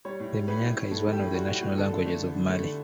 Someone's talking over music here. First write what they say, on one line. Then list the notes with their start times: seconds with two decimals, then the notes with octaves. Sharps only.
Minyanka is one of the national languages of Mali.
0.05 G3 C#5
0.20 A2
0.34 G3
0.48 A2 B4
0.62 A2
0.76 A2
0.91 A2 A4
1.06 G3
1.13 G4
1.20 A2
1.34 G3 F#4
1.48 A2 G4
1.63 A2 F#4
1.78 D3 A4
1.91 D3
2.06 A3
2.20 D3
2.35 D3
2.49 A3
2.63 D3